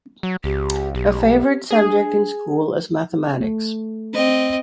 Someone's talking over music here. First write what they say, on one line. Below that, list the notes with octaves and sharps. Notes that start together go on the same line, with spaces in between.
Her favorite subject in school is mathematics.
F#3
C#2 G4
B1 G4
D4 G#4
A3
C4 D#5